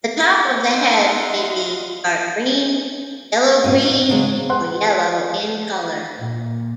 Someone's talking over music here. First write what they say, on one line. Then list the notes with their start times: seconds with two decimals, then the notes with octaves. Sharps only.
The top of the head maybe dark green, yellow-green or yellow in colour.
0.24 D#4 E5 F#5
0.67 D#5 F5 C6
3.63 D2 G2 A#2 C#4 F#4 F5
3.82 D4 D#4
4.09 C#3 F#3 G#3 C#4
4.50 G#4 B4 C5 F#5 C6 F#6
6.18 A#2